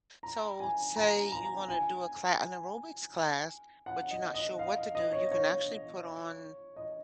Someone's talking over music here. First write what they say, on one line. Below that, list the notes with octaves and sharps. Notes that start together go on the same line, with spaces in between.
So, say you wanna do a cla an aerobics class, but you're not sure what to do, you can actually put on
A#5
G#5
A#5
A#5
G#5
F#5
D#5
D#5
F5
D#5
D#5
C#5
C#5
D#5